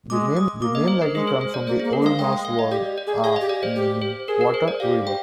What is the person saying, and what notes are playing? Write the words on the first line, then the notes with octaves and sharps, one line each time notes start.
The name likely comes from the Old Norse word "aa", meaning 'water, river'.
G#3 D6
D#6
A#3 D6
D#5
C5
A#4
G#3 G#4
C5
C5
D5
A#3 C5
G#4
A#3
A#4
G#3
F5
G#3 G5
G5
F5
D#5
G4 D5
D5
G#4
G#4 F5
G4 D#5
D5
C5
G4
C5
G#4 A#4
A#4
C5
D5
G4 F5
G5